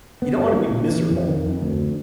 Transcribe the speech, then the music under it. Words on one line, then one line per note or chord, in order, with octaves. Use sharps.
"You don't wanna be miserable."
B3
G2
A#3
A#2
E3
F2
D#3
F2
D2